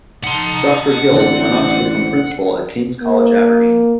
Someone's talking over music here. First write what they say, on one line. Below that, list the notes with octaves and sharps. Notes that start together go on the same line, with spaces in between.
Doctor Guild went on to become principal at King's College, Aberdeen.
D#4 D#5 F#5 A5 C6
A1 D3 C4 D5
A#3